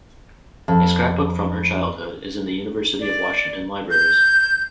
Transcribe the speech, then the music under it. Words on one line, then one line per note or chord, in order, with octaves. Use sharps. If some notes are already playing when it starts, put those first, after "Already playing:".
A scrapbook from her childhood is in the University of Washington Libraries.
F2
D5
G6